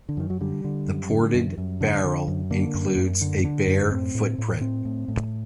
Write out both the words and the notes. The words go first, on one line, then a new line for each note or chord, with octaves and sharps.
The ported barrel includes a bear footprint.
D3
F#2 D#3
F#3
D3 G3
D3
F#2
D3
F#2
F#2
D3
D3
F#2
D3 A#3
F#2
F#2
D3
D3
F#2
A2 C4
A2
A2
A2 C4
A2
A2